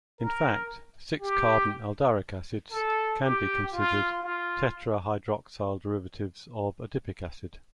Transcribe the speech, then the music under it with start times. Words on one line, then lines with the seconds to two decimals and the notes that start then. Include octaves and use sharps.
In fact, six-carbon aldaric acids can be considered tetrahydroxyl derivatives of adipic acid.
0.20 A#4
1.20 G4
2.71 A4
3.22 G4
3.73 F4
4.23 F4